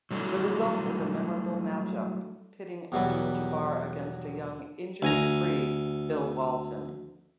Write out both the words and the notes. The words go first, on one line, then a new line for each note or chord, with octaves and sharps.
The result was a memorable matchup, pitting Abdul-Jabbar against a young, injury-free Bill Walton.
F#3 G3 A3 D4 E4 F#4
E2 B2 F#3 G3 E4 B4
D2 G#5 A#5